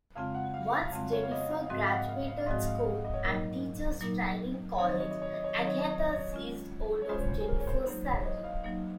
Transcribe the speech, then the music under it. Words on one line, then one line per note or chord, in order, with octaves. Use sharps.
Once Jennifer graduated school and teachers' training college, Agatha seized hold of Jennifer's salary.
F2 C#3 G#3 C4 F4 F5
F#5
F5
F5
F2 C#3 G#3 C4 F4 F5
C#5
F5
D#5
F5
G#2 F3 G#3 C4 F#4 D#5
F5
F#5
F5
F5
F5
G#2 F3 G#3 C4 F#4 D#5
F5
F5
D#5
C#5
A#2 F#3 A#3 D#4 A#4 D#5
A#2 F#3 A#3 D#4 A#4
D#3 F#3 C4 D#4 C#5
D#5
C#5
D#5
C#5
D#5
C#5
D#3 F#3 C4 D#4 D#5
C#5
D#5
C#5
D#5
C#5
G#3 C#4 F4
C#5
G#3 C#4 F4 C5
C#5
C5
G#4
A#4
C#5
C5
F#3 A#3 D#4 C5
C#5
D#5
F5
F#3 A#3 D#4